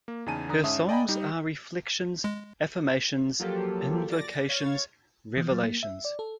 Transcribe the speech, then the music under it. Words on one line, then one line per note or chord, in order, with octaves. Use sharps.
Her songs are reflections, affirmations, invocations, revelations.
A#3
E2 C#3 D#4 G#5 A5 D#7
D3 A#5 D#6
G#2 C#4 E5 A5 D#6
D5 D#5 G5 G#5 A#5 B5
G3 D#4 G4
G#3
F3 F#3 A#3 F4 G4 A4
D5 A6 A#6
C#5 F5 G#6 A6
E3
F#3
A#3
E5
D5
A4